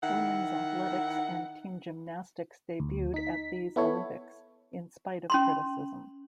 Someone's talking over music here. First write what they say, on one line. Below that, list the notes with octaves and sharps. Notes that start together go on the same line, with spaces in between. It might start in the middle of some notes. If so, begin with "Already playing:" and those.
Women's athletics and team gymnastics debuted at these Olympics, in spite of criticism.
D#3 E4 F#5
D2
D#4 B6
B3 E4 A4 C#5
C#4 B5 C6